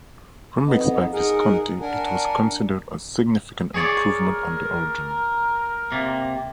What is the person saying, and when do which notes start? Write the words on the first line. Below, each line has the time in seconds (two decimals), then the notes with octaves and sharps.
Remixed by Visconti, it was considered a significant improvement on the original.
0.66 F2 B3 D#4
1.13 D#4 G#4 A#4 F#5
1.81 D4 A#4 F#5 G#5
3.74 G#4 C#5 D5
4.07 A#4
5.92 C3 A#3